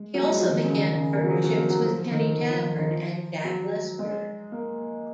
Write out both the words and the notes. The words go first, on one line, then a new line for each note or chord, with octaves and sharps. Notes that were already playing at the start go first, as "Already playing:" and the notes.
He also began partnerships with Kenny Davern and Jack Lesberg.
Already playing: G#3
F#3
G#3
F3
D#3
C#3
D#3
C#3
D#3
F#3
F3
F#3
A#3
F#3
F3
D#3
D#3
F3
D#3
D#3
F3
F#3
G#3
A#3